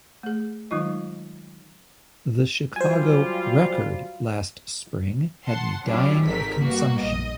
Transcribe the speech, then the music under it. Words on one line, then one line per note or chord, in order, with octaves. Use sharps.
The Chicago "Record" last spring had me dying of consumption.
A3 G#4
D#3 F#3 G#3 D#4 F4 D#5
F#3 G3 F4 C5 G#5
F#5 A5 C6
F#3 C#4 D4 E4 F4 G4
G#1 G#2 D#3 A4 A#4 B6
G3 A#3 B3 F#4
A#1 D#5